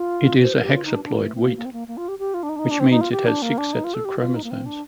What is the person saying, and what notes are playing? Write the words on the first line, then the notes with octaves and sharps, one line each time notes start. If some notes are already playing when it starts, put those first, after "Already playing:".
It is a hexaploid wheat, which means it has six sets of chromosomes.
Already playing: F4
C5
A#4
G4
F4
D#4
D4
D4
A#3
A3
C4
A#3
A#3
C4
A#3
A#3
F4
G4
G4
F4
D4
D#4
D4
D#4
D4
C4
D#4
F4
G4
D4
A#3
D4
D#4
F4
A4
G4
F4
D#4
A#3
C4
D4